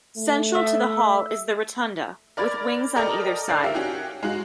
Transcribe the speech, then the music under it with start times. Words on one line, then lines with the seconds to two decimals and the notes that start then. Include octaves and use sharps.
Central to the Hall is the Rotunda, with wings on either side.
0.17 A3
0.55 E5
2.37 A#4 D5 B5 G#6 A6
2.96 A4 A#4 D5 D#5 G5 A#5
3.48 D3 D5 C7
3.63 F4 G4 A#4 E5
3.74 C#4 F#4 G4
4.23 G#3 F4 F#4